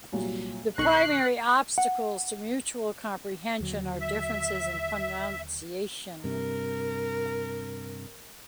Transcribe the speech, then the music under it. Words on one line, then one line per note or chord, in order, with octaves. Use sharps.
The primary obstacles to mutual comprehension are differences in pronunciation.
C2 A#2 F#3
B1 D#3 C#6 F#6 A#6 C7
F#5
D#2 D3 F#3
E5
G2 C3 A#4